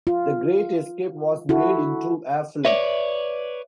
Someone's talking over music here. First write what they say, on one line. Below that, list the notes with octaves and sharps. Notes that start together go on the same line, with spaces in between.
"The Great Escape" was made into a film.
F4
E4 F#4 A4
B4 C#5 D5 E5